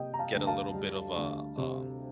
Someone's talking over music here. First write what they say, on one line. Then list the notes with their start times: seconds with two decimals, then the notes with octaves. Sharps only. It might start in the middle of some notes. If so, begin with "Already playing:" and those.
get a little bit of, uh uh
Already playing: C3 A#3 D#5 G5
0.14 A#5
0.19 F5 A5
0.32 D2
0.47 F5 A5
0.74 G3
1.16 D2
1.58 C3